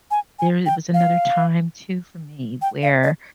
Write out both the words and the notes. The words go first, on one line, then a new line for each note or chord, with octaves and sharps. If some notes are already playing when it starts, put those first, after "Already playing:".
there was another time too for me where,
G#5
G#5
G5
F5
G5
F5
D#5